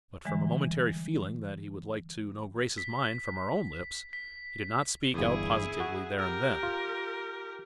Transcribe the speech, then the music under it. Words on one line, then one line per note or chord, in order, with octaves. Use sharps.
But from a momentary feeling that he would like to know Grace's mind from her own lips, he did not speak out positively there and then.
D3 E3 G3 G#3
B6
B6
G1 E2 E4 G#4
F#4
G4 A#4
F4